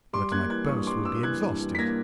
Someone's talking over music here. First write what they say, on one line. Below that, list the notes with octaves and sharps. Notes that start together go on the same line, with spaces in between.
"But my purse will be exhausted."
G3 C6 D6
A#3 F#6 G#6
E3 F#6 G#6
G2 C#6 D#6
G3 C6 D6
A#3 D6 E6
E3 F#6 G#6
G2
G3
B6
A#3 G#6 A#6